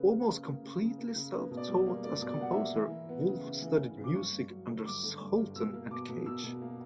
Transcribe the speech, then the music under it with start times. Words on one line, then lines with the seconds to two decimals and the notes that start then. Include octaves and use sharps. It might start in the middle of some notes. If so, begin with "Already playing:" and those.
Almost completely self-taught as composer, Wolff studied music under Sultan and Cage.
Already playing: C#3 B4
0.10 A#3
0.28 C#3
0.46 A#3
0.63 C#3
0.81 C#3
0.98 A#3
1.16 C#3
1.34 A#3 B4
1.51 B2
1.57 D5
1.69 G3
1.86 A#3
2.04 A#3 D5
2.21 B2
2.27 D5
2.39 A#3 F#5
2.51 E5
2.57 A#3
2.74 E3
2.92 E3
3.09 B3
3.27 C#3
3.45 C#3
3.62 E3
3.80 E3
3.97 C#3
4.04 D6
4.15 G2 C#6
4.32 G2
4.50 F#3
4.67 D3
4.85 G2 D6
5.03 D3
5.21 G2
5.38 G2
5.56 B2 E6
5.74 A#3
5.91 B2 D6
6.09 B2
6.26 B2 E6
6.44 B2
6.62 A#3